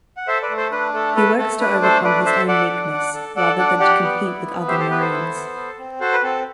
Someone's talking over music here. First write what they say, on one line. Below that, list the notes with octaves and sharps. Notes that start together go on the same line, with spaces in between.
He works to overcome his own meekness, rather than to compete with other Marines.
F#5
A4 C5 E5
B4 D5
A3
A4 C5
D4 B4
A3 A4
A4 B4
A3 A4
D4 B4
A3 A4 C5
D4 B4 D5
A4 C5 E5
A4 D5 F#5
D4
D4
A4
A4 D5 F#5
D4 D5 F#5
G4 D5 F#5
B3
E4
B3
G4 C5 E5
A4 C5
B3 B4
A4 C5
E4
B3
A4
C4
F#4 A4 C5
B4
C4 A4